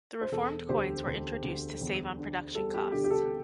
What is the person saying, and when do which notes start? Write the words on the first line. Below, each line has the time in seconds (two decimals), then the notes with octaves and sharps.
The reformed coins were introduced to save on production costs.
0.21 C5
0.32 E1 A4
0.69 D2 G4 C5
1.06 D2
1.44 D2
1.81 E2
2.18 D3
2.55 G3 A4
2.74 G4
2.92 D3 G4
3.04 G4
3.10 A4